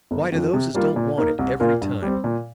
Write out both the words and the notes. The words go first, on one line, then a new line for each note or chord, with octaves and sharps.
Why, to those as don't want it, every time.
G1
F2 F3
C3
G3 A#3 F4
A#2
A#3 D#4 A#4
C2
A#2 A#3 F4 A#4
G2
G3 C4
A#2